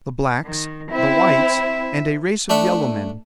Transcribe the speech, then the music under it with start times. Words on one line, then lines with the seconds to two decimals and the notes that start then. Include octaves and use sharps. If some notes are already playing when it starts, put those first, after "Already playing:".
The blacks, the whites, and a race of yellow men.
0.45 D#3
0.92 C4 E4 E5
2.49 A3 D4 E5 F#5